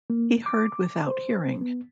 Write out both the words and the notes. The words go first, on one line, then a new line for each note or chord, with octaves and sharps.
He heard without hearing.
A#3
D6
C5
B3